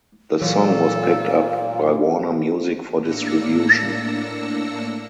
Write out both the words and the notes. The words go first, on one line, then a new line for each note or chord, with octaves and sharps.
The song was picked up by Warner Music for distribution.
A#2 E3 F#3 A4 C#5 F5
A2 A#3 D4 E6 A#6 C#7